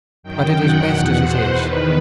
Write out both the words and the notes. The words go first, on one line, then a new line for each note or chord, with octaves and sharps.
But it is best as it is.
F#2 D#3 G5
F#5
E2 B2
C5
E2 D#3 B4